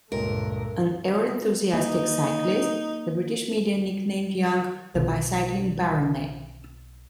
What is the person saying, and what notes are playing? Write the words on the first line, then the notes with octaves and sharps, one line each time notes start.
An ever-enthusiastic cyclist, the British media nicknamed Young the "Bicycling Baronet".
C#2 G2 A#2 A3 A#4
A#3 D#4
B1 F4